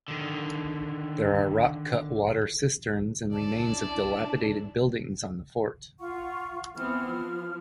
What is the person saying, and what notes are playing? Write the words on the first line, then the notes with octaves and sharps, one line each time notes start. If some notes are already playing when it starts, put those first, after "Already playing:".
There are rock cut water cisterns and remains of dilapidated buildings on the fort.
D3 D#3
C#4 D4 E4 D5 A5
F4 F#5 C#6
E3 B3 C4 F6
F3